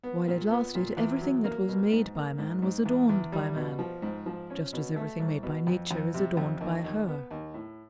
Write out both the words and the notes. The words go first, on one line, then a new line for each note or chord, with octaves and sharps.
While it lasted, everything that was made by man was adorned by man, just as everything made by Nature is adorned by her.
B3
A#2
B3
A#2
E2
F#3
A#3
B2
G#2
A#3
G#2
G#2
E2
E2
G3
B2
F3
G#2
F3
C#4
B2
A3
C2
B2
F2
F2
C3
F2
D#2
D#2
B3
D#2
A2